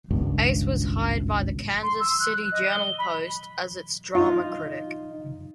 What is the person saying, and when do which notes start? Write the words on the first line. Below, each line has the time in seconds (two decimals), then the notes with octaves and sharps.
Ace was hired by the "Kansas City Journal-Post" as its drama critic.
0.11 G#1 C#2 G2 B2
1.83 C6
2.00 E6
2.19 F#6
2.52 D#5
2.71 G7
2.99 B5
4.15 D#4 F4